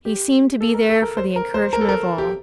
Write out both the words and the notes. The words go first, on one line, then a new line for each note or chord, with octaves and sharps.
He seemed to be there for the encouragement of all.
G4
A4
A#4
A4
A#4
C5
A#4
C5
A#4
A4
A#4
G4